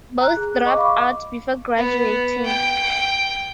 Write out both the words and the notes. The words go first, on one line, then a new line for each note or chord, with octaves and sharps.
Both dropped out before graduating.
A#5 F#6
G#4
D#5 C#6 D6
F5 B5 D6
B3
G5